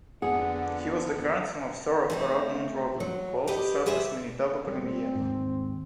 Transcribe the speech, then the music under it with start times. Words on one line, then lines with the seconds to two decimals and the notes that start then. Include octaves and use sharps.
He was the grandson of Sir Rodmond Roblin, who also served as Manitoba Premier.
0.22 F2 D3 B3 G#4 F#5
2.10 A3 C4 D#4
3.00 F#3
3.47 G4 B4 D5 D#5
3.86 G4 G#4 B4 C5 D5 E5
4.67 G3 C4
5.15 D#2 G#2